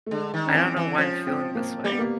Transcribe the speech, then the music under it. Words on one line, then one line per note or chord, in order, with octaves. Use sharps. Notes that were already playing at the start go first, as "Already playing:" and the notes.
"I don't know why I'm feeling this way,
A3
D3 G#3
D#3
C#4
E3 C4
E3
F3 C#4
C4
A#3
G3 A#3
B3
A#3